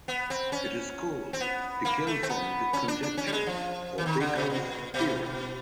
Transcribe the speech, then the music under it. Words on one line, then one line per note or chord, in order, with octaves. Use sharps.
It is called the Gelfond conjecture or Baker's theorem.
B3
C4
C#4
C4
B3
A#3
A3
C4
B3
C#4
D4
D4
C#4
G3
G#3
F3
E3
D#3
D3
B2
A#2
B2